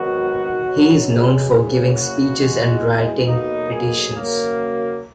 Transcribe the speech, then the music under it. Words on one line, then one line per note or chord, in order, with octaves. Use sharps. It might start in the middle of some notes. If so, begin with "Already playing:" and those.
He is known for giving speeches and writing petitions.
Already playing: G#1 G#2 D#3 F#3 B3 F#4
B1 B2 F#3
G#4
F#1 F#2 C#3
F#4
E2 B2 G#3
B1 B2 A#3 D#4
G#4
F#2 C#3 F#3 A#3